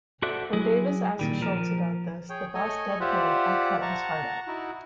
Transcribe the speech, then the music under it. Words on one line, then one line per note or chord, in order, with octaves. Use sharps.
When Davis asked Schultz about this, the boss dead-panned, I cut his heart out.
F#4 A4 C5 D5 E5 F#5
F#3 E4 G#4
A#2 D#3 G3
F3 A#4
G#4 C#5 G5
A3 A4 C#5 D#5 G#5
F4 G4 C5 D5 E5 F#5
F#5 A5 A#5 C#6
D#4 E4 F#4